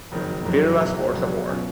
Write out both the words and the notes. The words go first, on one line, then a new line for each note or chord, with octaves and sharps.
Birla sports award.
F#1 F2 D#3 F#3
F#1 F2 D#3 F#3
C#2 B2 F#3 B3
C#2 B2 F#3 B3
B2 F#3 C#4 F4